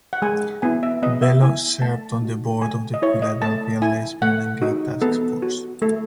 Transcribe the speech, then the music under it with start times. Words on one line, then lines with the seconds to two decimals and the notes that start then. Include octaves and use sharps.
Bello served on the board of the Philadelphia Lesbian and Gay Task Force.
0.13 F#5
0.22 G#3 G#5
0.62 B3 E4 G#5
0.83 E5
1.03 B3 D#5
1.22 E5
1.42 E4 G#5
1.82 A3 A5
2.22 D#4 F#4
2.62 A3 G#5
2.94 D#5
3.02 E4 C#5
3.22 D#5
3.42 A3 A5
3.82 E4 G#5
4.22 A3 F#5
4.62 D#4 F#4
5.02 B3 A4
5.42 F#4
5.82 A3 A4